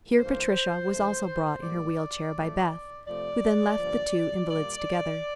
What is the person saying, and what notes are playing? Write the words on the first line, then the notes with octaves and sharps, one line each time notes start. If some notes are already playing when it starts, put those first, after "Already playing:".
Here Patricia was also brought in her wheel chair by Beth, who then left the two invalids together.
G2 E3 A#3 C5
G2 E3 A3
A2 G3 A#3 D5
A2 F3 A3
C3 F3 A3 D5
G2 D3 F3 A#3
A#2 G3 A#3 D5